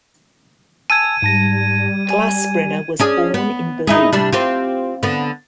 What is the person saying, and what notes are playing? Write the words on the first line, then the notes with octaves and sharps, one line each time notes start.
Glassbrenner was born in Berlin.
G#5 A5 E6 G#6 D#7
G#2 G3 A5 A#6
G#5
C#4 D4 G#4
B3
D#4 E4 G#4
C3 G3 D4
C4 F4 G4
D3 B3